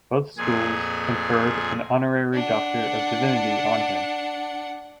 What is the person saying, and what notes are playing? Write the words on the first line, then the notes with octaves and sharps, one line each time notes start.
Both schools conferred an honorary doctor of divinity on him.
F2 A#2 G#4 G#5
D4 F#5